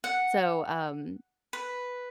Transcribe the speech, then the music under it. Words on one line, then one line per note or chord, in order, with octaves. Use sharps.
So, um
F#5
B4